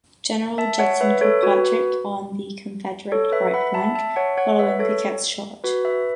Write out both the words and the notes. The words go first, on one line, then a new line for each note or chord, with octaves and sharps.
General Judson Kilpatrick on the Confederate right flank, following Pickett's Charge.
E5 A5
C#5 F#5
B4 E5
A4 C#5
F#4 B4
A4 C#5
B4 E5
F#5 B5
E5 A5
E5 A5
C#5 F#5
C#5 F#5
B4 E5
A4 C#5
F#4 B4
B4 E5